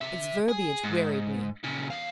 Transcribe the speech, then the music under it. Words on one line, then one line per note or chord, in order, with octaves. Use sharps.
Its verbiage wearied me.
C3 E5
G#4
G#2
A#2 C#3
E2 F5